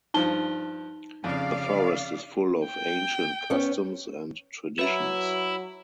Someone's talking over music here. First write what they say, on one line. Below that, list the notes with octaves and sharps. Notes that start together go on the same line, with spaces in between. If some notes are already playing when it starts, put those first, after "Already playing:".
The Forest is full of ancient customs and traditions.
G2 F3 D#4 A5 G7
F2 C#3 D5 F5
G5
B3 C#4
F#3 E4 B4 E5 B5